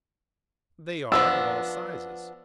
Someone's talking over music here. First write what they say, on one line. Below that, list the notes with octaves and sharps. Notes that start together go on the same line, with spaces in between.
They are of all sizes.
F3 B3 D4 E6